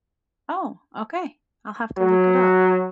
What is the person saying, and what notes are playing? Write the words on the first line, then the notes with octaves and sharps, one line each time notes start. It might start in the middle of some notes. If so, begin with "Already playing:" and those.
Oh, okay, I'll have to look it up.
F#3